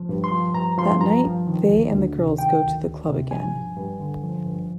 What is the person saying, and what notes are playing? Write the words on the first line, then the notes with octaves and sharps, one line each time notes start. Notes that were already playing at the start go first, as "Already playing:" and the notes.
That night they and the girls go to the club again.
Already playing: F3
G2
C6
F3
G2 A#5
F3 C6
G2 A#5
F3
D#3
D2
D2
C3
D#3 G5
D2
D2
C3
F3 G#5
G2
G2
D3
F3
G2